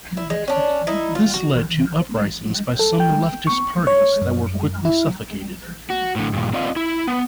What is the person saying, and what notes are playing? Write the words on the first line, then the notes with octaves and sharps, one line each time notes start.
This led to uprisings by some leftist parties that were quickly suffocated.
E4
G#3
C#4 D4
D#4 E4
F4
F#4
A4
G5
C#6
C#5
F#2
E4
F#4
A2 D3
G2 A#2
C4 F4 D5 D#5 F5
E4
B3